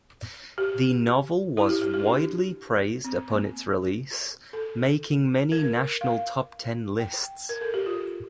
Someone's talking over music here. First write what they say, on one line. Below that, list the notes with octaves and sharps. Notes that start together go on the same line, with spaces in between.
The novel was widely praised upon its release, making many national top ten lists.
G4
E4
G4
G4
G4
D4
C4
A#3
A4
A#4
F5
G5
A#4
A4
G4
F4